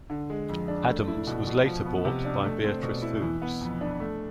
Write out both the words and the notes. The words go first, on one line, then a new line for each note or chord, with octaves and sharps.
Adams was later bought by Beatrice Foods.
D3
G#3
F2
D4
A3
E4
B2
B2
F3
B3
C3
D4
A3
C4
B2
E4
E3
B3
F2
D4
A3